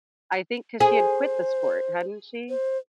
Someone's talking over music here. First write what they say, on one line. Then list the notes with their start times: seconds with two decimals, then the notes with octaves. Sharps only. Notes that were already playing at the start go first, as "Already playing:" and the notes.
I think 'cause she had quit the sport, hadn't she?
0.80 G#4 C5
2.49 C5